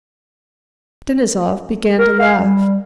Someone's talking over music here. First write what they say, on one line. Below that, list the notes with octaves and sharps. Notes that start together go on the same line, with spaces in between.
Denisov began to laugh.
A#4
F5
G3